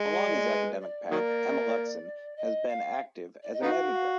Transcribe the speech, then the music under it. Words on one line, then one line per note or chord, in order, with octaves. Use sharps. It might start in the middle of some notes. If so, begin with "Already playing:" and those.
Along his academich path, Amelunxen has been active as an editor.
Already playing: G#3
D5
B4
D5
D#3 F#3 A#3
D#5
F5
D5
D#5
B3 D#4 F#4 F5
F5